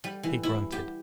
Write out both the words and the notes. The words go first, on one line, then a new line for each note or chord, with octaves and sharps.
He grunted.
G3
E3
E4
G4